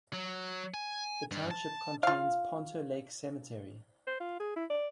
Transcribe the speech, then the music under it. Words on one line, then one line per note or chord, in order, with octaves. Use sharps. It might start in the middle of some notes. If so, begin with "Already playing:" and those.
The township contains Ponto Lake Cemetery.
F#3
G#5
G2 G3
A5
F4 F5
C5
F4
G#4
E4
D5